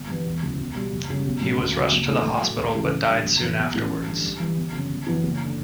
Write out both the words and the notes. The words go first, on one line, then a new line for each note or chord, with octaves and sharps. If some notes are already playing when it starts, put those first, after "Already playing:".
He was rushed to the hospital but died soon afterwards.
Already playing: G1
G2 E3 B3
E1
D2 C#3 E3
B1
B2 G3
F#1
F#2 C#3 G3
B1
A2 F#3 C#4
D2
C#3 F#3
F#1
E2 D3 A3 E4
A2
F#3 A3
D2
C#3 E3 A3 E4
A2
G3 D4
F#1
F#2 E3 B3
B1
A2 F#3 C#4 E4
A1
G2 D3
G2
E3 G3
G1
F#2 C#3
G1
F#2 E3 B3 E4
F#1
D3